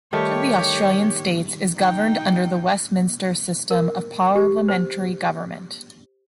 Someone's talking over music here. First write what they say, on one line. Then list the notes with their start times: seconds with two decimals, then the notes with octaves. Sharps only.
Each of the Australian states is governed under the Westminster system of parliamentary government.
0.13 D#3 G3 A3 G4 C#5
1.76 D#4 G5
3.71 A#4
4.35 G4
4.68 C5